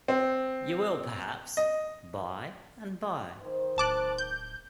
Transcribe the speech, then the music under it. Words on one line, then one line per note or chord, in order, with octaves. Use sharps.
You will, perhaps — bye and bye.
C4
D#5
D#3 C5
D1 A5 D6 F#6
G6